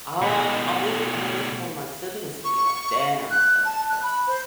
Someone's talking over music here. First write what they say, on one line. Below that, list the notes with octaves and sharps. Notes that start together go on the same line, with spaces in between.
um, I'm waiting I'm a wait for my siblings to get up, then I'm a start up breakfast.
B2 A3
C#6
F#6
A5
F#6
B5
C5